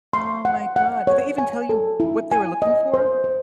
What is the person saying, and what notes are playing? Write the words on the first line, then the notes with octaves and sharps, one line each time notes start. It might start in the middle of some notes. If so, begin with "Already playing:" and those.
Oh, my god, did they even tell you what they were looking for?
C6
F#5
F#5
C#5
G#5
A4
E4
G#5
D#5
C5
C5